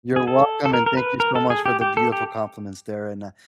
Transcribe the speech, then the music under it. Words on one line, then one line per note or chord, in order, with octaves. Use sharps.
You're welcome and thank you so much for the beautiful compliments there, and, uh,
G#4
A4
A4
A#4
A#4
B4
A#4
A4
G#4
G4
G4
A4
G4